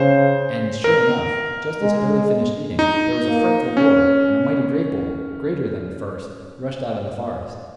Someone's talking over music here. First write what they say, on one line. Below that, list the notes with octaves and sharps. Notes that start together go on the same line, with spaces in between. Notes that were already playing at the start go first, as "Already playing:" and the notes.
And, sure enough, just as Billy finished eating, there was a frightful roar, and a mighty great bull, greater than the first, rushed out of the forest.
Already playing: C#3 C5
A#4
G#3
D#4
A#3
C#4